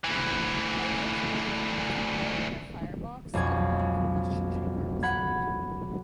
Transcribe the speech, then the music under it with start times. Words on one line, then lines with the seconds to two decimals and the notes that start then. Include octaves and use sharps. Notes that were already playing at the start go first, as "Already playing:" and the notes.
A large boiler with a Belpaire firebox and long combustion chamber was fitted.
0.04 D2 E3
3.33 B1 F2 C#4 G#6
3.79 G#3
5.03 F#5 B5 G#6